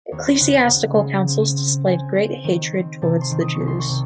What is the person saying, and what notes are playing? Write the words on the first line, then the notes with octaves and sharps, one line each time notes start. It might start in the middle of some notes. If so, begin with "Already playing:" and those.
Ecclesiastical councils displayed great hatred toward the Jews.
D#2 C#5
C5
C#3 F#5
C#3
C#3
C4
C4
C4 G#5
C4
D#3
C4
C3 A5
C6
D#3
D#6
C#6
C2
C6
C#6
C3